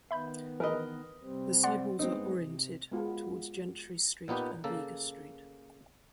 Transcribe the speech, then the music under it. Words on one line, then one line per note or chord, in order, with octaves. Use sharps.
The side walls are oriented towards Gentry Street and Vega Street.
D#3 B3 E5 B5 G6
E3 A#4 B4 D#5
C3 G3 C4
D5 F#5 C6
G2 G#3 B3 C4 D#4
C3
G#3 B3 F4 F#4 G#4
A#2 B3 D#4 G4 B4
C#3 A#3 A4